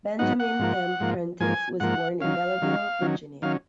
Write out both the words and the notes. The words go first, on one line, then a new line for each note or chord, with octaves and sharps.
Benjamin M. Prentiss was born in Belleville, Virginia.
G#2 F#3 B3 D#4 F#5
F#5
G#2 F3 A#3
G#2 F3 A#3
G#2 F3 A#3 G#5
G#2 F3 A#3 F#5
D#3 F#3 C#4 F5
D#3 F#3 C#4
D#3 F#3 C#4
D#3 F#3 C#4 F5